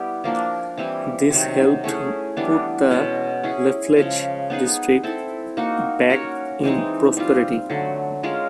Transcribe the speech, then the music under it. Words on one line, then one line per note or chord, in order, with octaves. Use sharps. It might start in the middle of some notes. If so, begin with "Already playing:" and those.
This helped put the Lafleche district back in prosperity.
Already playing: G3 B3 E4 G4
F3 A#3 D4
E3 G3 C4 E4
C3 D#3 F#3
A3 C#4 E4 G#4
E3 G3 B3 D4
B2 G#3 C#4
C#4 E4 G#4
C#3 F3 G#3 C#4
B3 D#4 G#4 B4
C4 E4 A4
A#3 D#4 F#4
C#4 F#4 A#4 C#5
E3 G#3 C4 D#4
G3 C4 F4
D3 F#3 A3
G#3 C#4 F4 A#4